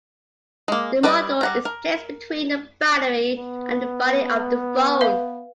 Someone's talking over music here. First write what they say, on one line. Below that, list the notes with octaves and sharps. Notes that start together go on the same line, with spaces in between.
The module is placed between the battery and the body of the phone.
G#3 A#3
G3 B4 D5 D#5
G3 F#5 A#5
A#4
B3
B4 E5 F5